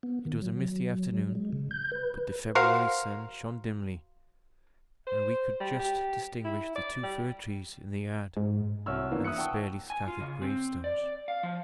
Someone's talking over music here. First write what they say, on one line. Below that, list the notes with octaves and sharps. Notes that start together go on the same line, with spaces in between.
It was a misty afternoon, but the February sun shone dimly, and we could just distinguish the two fir-trees in the yard, and the sparely-scattered gravestones.
B3
D#3
F#3
G#3
C#3
G6
B4
F#4 A#4 C5 F5
C5
G3
G4
E4
D5
G3
G#2
C2 F#4 C#5 F#5 E6 F6
D#3 E3 A#3 B3 D4 F4
E5 D#6 E6 F#6 C#7
F#5 G5 A5 C#6 D#6 E6
G#5
F4
C#3
C4
D5
F5
F3